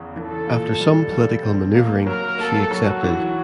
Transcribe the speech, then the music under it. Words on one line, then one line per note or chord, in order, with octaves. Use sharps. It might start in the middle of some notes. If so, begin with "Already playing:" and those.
After some political manoeuvring, she accepted.
Already playing: E2 C#3 E3
E3 A4
A#2
G3
G3
C4
A#3
F#3 A#4
A#3 A4
F#3 F#4
E3